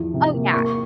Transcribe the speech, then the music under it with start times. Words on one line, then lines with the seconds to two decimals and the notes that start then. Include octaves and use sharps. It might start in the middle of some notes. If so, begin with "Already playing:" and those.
oh, yeah,
Already playing: E2 F3
0.14 C3
0.34 A#3
0.53 A#3 C#6